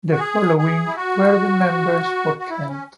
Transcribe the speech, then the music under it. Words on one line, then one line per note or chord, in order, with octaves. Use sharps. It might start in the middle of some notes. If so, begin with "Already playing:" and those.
The following were the members for Kent.
F#4
G#4
G#4
E4
F#4
F#4
E4
C#4